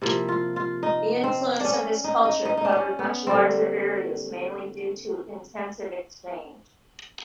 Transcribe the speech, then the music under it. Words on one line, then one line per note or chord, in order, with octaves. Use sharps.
The influence of this culture covered much larger areas mainly due to intensive exchange.
C3 F3 A#3 E4
F4
F4
D#4
C4
C#4 D4
D#4
D#4
D#4
D#4
D4
C#4
B3
D3 G3 A#3 C4